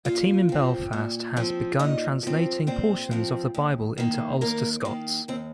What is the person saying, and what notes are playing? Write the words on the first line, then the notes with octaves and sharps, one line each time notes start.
A team in Belfast has begun translating portions of the Bible into Ulster Scots.
A#2 F4 F5
F3 C4
A#2
F3 C4
A#2 D#4 D#5
F3 C4
A#2 C4 C5
F3 C4
D#2
D#3 A#3
D#2 A#3 A#4
D#3 A#3
D#2 C4